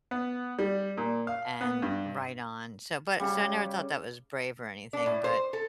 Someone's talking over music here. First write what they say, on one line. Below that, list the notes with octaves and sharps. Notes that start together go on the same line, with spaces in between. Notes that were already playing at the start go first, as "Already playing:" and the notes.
and right on. So, but so I never thought that was brave or anything, but
B3
G3
A#2
F5
B3
G2
C#3 G3
D4
A2
C5
A4